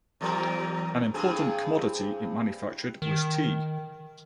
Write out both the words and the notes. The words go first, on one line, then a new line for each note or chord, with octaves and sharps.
An important commodity it manufactured was tea.
E2 F#3 A#4
G2 C4 G#4
D#3